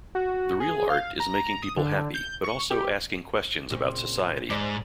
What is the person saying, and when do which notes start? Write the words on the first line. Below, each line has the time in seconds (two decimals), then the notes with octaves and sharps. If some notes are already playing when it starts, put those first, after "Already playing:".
The real art is making people happy, but also asking questions about society.
0.15 F#4
0.60 G#4
0.90 F5
1.20 A#5
1.62 D#6
1.77 D3
2.14 G6
2.44 C#6
2.70 G4
3.70 A#2 C#3 C4
4.50 G#2 G#3 C5 D5